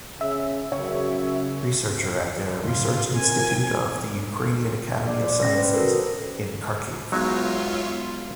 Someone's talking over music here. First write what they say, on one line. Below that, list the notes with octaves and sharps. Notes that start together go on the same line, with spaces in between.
Researcher at the Research Institute of the Ukrainian Academy of Sciences in Kharkiv.
C#3 E5
F#2 C#3 C#5
A2 C#3 F4
C4 F4 A#4 G#5
D5
C5 D5
C#4 A#6
B4 C5
F#4 A4 A#4
F#3 G#3 B3 D#4 F4 C#5 E5 F5